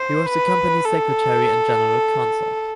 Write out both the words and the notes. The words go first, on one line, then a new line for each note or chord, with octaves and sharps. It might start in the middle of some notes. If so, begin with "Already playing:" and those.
He was the company Secretary and General Counsel.
Already playing: C5
B4
A4